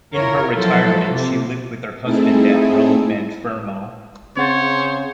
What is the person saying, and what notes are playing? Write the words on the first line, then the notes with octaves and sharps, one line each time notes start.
In her retirement she lived with her husband at Rome and Fermo.
E4 F4 A#4 C#5
F3 F#3 E4 F4 A4 C5
C3
A3 C4 D#4 E4 G#4 A4
C#3 C4 C5 C#5 F#5 A6